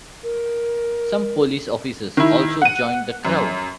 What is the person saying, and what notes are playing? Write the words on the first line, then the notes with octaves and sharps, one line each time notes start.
Some police officers also joined the crowd.
A#4
D#3 E4
F#5 D#7
F#2